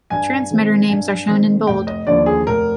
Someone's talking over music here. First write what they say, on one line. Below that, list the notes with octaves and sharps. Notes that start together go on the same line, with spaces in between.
Transmitter names are shown in bold.
G2 G#5
D#3 G#3 C4
G2
D#3 G#3 C4
F1 G5
D#5
D#2 D3 F3 D5
G#4
F1 A#4